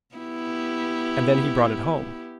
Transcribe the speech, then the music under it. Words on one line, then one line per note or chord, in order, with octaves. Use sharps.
And then he brought it home.
B3 E4 G4